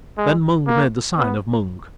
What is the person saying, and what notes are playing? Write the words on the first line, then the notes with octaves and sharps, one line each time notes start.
Then Mung made the sign of Mung.
G#3
A#3
B3